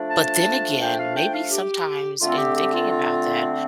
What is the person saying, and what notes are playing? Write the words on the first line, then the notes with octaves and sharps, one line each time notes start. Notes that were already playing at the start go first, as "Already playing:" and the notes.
but then again, maybe sometimes in thinking about that,
Already playing: F3 A3 D4
A5
G5
F5
G5
F5
G4
D3 A3 C4 F4
G4
G4
F4
F4